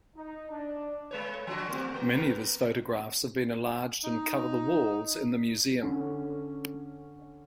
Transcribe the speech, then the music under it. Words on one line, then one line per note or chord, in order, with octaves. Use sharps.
Many of his photographs have been enlarged and cover the walls in the museum.
D#4
D4
G#3 B4 C#5
F3 D4 F#4
A3 C4 G4
A#3
A#3 A#4 B4
D#4
D3 C#4